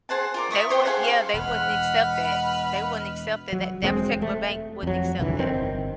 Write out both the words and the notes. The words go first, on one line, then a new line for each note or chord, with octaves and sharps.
They would yeah, they wouldn't accept that. They wouldn't accept that, that that particular bank wouldn't accept that.
G#4 C5 F#5 A5
F4 A#4 D5
E5 C#6 D#6
G4 C5 C#5 C6
G#4 A4 F5 F#5
C5 F5
E1 B4 D#5 F#5 B5 F6
F#3
E1 G#3 C4
A3
F2 F#3
C2 F2 D3 E3
G1 D#3 C4